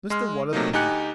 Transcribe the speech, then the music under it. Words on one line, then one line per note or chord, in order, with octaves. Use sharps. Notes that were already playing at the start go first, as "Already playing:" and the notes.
Mr Waller beamed.
G#3 C6 F6
C3 F#3 A3 A#3 D#4
D2 D#4 G4 G#5 F#6 C#7